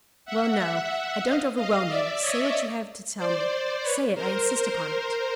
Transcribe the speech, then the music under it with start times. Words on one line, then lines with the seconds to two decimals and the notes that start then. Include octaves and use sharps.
"Well, no, I don't overwhelm you; say what you have to tell me--say it, I insist upon it."
0.25 E5 F#5
0.59 E5 F#5
1.23 D#5 F5
1.56 D#5 F5
1.88 D5 E5
2.20 C#5 D#5
3.18 C5 D5
3.82 B4 C#5
4.15 A#4 C5